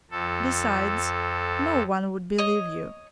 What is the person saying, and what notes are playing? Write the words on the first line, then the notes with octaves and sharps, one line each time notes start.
Besides, no one would believe you.
F2 A4
C#5 D#5